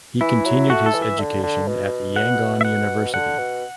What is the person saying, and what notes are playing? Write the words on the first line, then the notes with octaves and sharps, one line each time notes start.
He continued his education at Yangon University.
E3 E4
F#3
A3 F#4
A4
E3
E5
D3
D3
B2
F#5
E5
F#5
D3 F#5
B2